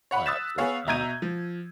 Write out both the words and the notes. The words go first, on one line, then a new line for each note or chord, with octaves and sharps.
Oh, yeah, absolutely not.
C#5 F#5 B5
D#6 E6 F#6 A6 B6 E7
B3 G#4 C#5 F5
B2 E5 A#5 G6 G#6 D#7
F3